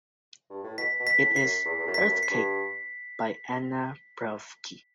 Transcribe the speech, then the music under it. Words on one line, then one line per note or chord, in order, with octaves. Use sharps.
It is "Earthcake" by Ana Prvacki.
G2
A2
B2 B6
B2
B6
A2
C7
F#2
E2
E2
F#2
B6
G2
F#2
C7
G2